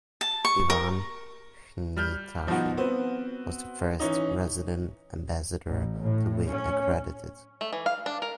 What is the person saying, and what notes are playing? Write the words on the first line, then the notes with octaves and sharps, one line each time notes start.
Ivan Hnatyshyn was the first resident ambassador to be accredited.
A5
C#6
A#4
G3 F6 G6
B2 F3 G3 D#4 F#4
B3 C4 F#4
E3 C#4 D#4
A1
A2
C#4
A3
E3
F5
D4
A#4